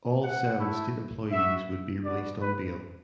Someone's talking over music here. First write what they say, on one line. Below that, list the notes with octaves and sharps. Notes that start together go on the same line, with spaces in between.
All seven state employees would be released on bail.
F#5
A3 E4
B3 F#4 E5
B3 D4 F#4 D5
B4